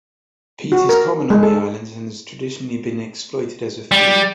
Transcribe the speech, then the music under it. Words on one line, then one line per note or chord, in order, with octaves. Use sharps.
Peat is common on the islands and has traditionally been exploited as a fuel.
F#4
A#4
G#3
A4
G3